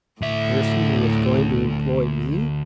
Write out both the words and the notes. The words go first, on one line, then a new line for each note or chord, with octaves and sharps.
"The person who is going to employ me?"
D2 A2 E5